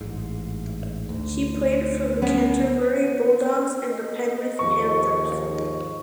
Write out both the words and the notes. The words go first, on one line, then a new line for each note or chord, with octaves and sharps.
He played for the Canterbury Bulldogs and the Penrith Panthers.
A1 G#2
D2
B3 C#4
D#5
D#2 G#2 F3 C#6